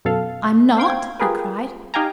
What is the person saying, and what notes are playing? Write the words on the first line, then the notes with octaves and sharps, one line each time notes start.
"I'm not?" he cried.
F#2 B2 A4 F5
C5 F5 G5 G#6
F4 G4 G#4 A#4 B4
D#4 G4 F5 G5 G#5 A#5